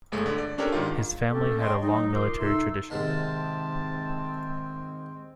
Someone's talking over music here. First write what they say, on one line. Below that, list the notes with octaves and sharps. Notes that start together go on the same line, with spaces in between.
His family had a long military tradition.
G1 G#3 A3
D3
D5
C#4 D4 G4 A4 A#4 C#5
G#2 D#3 F4
A3 A#3 C#4 D4 G4 A4
C#5 D#5 G5 A5 B5 C6
F#3 D#4
F4 A#4 C6 D6
C3 D#4 A4 C6 E6
G#2 C3 D#3 G#3 C4 A5